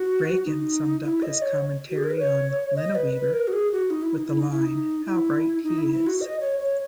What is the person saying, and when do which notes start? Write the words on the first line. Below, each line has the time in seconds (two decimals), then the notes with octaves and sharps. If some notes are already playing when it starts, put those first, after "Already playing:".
Reagan summed up his commentary on Linaweaver with the line, How right he is!
Already playing: F#4
0.45 D#4
1.03 E4
1.22 D#5
1.42 C#5
1.90 F#4
1.97 G#4
2.04 A#4
2.11 B4
2.19 C#5
2.76 D#5
2.95 B4
3.14 B4
3.33 A#4
3.48 F#4
3.53 G#4
3.72 F#4
3.90 D#4
4.02 E4
4.14 D#4
4.26 E4
4.38 D#4
4.51 E4
4.62 D#4
5.05 E4
5.63 D#4
5.78 E4
5.92 E4
6.06 F#4
6.21 D#5
6.40 C#5
6.60 C#5